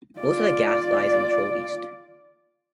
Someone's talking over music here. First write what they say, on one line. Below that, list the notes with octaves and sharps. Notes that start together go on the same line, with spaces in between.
Most of the gas lies in Troll East.
F4 D5